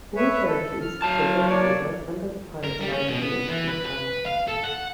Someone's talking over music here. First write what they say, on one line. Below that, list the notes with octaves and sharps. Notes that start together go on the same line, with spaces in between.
All Cherokees have a brake lever under the pilot side of the instrument panel.
B4 C#5 E5
A4
F6
F#3 A5
A#3 C#5 D5
A#4
G3
C#4
B2
B3
E3
B4
B4
F5
A4
F#5